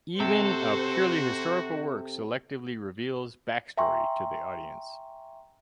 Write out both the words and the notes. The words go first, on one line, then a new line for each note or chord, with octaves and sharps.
Even a purely historical work selectively reveals backstory to the audience.
C3 F#4 A4 C5
E5 G5 G#5 A#5 C6 C#6